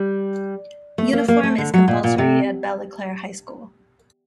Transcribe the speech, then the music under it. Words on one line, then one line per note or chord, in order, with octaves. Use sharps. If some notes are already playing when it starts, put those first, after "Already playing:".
Uniform is compulsory at Ballyclare High School.
Already playing: G3
A3
A#3
A#3
A3
D3
F#3
A#2
A#2
C3